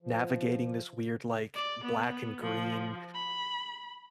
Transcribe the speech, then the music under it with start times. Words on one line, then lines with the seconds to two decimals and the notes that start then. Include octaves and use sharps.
navigating this weird, like, black and green
0.02 F3
1.55 D5
1.84 B3
2.42 F3
3.14 B5